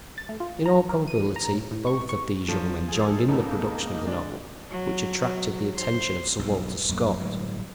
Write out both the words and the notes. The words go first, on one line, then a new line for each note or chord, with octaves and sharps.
In all probability, both of these young men joined in the production of the novel which attracted the attention of Sir Walter Scott.
A6
A3
F4
A#5
A#4
D#7
A#5
A2
A2
C#6
C#6
G2 F3 F#3 A4
G2 G#4 A4
E1 C#2 C#3 A#3 B3 D#4 A4
D2 G#3 D4 D5
F#3
F#3
C5
B1 G2
A#1 F#2 F#3 A#3
G1 A2 F#3 G#3